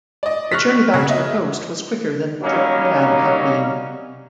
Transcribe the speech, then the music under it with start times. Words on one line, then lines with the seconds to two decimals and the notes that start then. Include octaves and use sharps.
The journey back to the coast was quicker than the trip inland had been.
0.23 D5 D#5
0.52 C#6 F6 F#6 A#6 B6
0.94 C#3 F#4
1.09 D#5 E5
2.42 F#3 G3 A#3 C#4 D#4